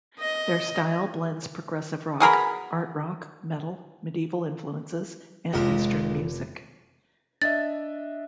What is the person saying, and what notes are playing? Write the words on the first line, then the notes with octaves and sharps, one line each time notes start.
Their style blends progressive rock, art rock, metal, medieval influences, and eastern music.
D#5
B2 G#4 A#4 B5
F1 C#2 G#3 A#4 B6
D4 D#5 E5 A6